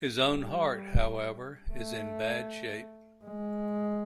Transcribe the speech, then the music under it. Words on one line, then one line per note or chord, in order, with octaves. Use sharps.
His own heart, however, is in bad shape.
G3
A3
G#3